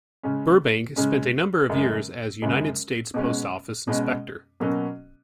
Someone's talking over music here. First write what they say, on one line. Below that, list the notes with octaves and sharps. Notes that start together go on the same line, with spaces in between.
Burbank spent a number of years as United States post office inspector.
C#3 G#3 C#4
C#3 G#3 C#4
F#2 C#3 G#3
F#2 C#3 G#3
B2 G#3 C#4
B2 G#3 C#4
B2 F#3 A#3 C#4 F#4